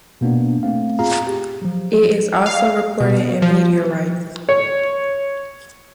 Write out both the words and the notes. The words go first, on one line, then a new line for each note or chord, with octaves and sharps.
It is also reported in meteorites.
B2 A#3 B3 D4
A3 C4 F5
F4 G#4 F5 A#5
G4
F3 F#3
F5
B2
F3
C#5